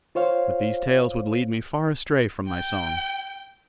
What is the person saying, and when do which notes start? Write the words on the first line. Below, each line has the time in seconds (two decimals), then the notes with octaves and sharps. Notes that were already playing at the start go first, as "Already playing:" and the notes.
But these tales would lead me far astray from my song.
0.15 F4 C5 C#5 F5
2.48 G5